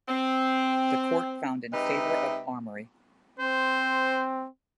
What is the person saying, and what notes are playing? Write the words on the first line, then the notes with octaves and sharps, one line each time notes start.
The Court found in favour of Armory.
C4
C3 G#3 D#4 B4 E5
C4 C5